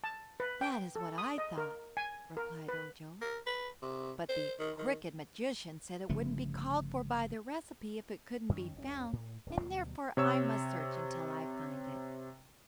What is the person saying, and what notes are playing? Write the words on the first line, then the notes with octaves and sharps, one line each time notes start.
"That is what I thought," replied Ojo; "but the Crooked Magician said it wouldn't be called for by the recipe if it couldn't be found, and therefore I must search until I find it."
A5
B4
G5
A4
D#6
D#5
A#4
G#5
A#4
B4
A#4
B4
C3
C5
D#3
D#3
G1 C#3 F3 A3
F#2 D#3 G3 C#4
F1 C2 C#4
A2
D1 D4
D2 B2 F#3 G3
C3 C#5 E6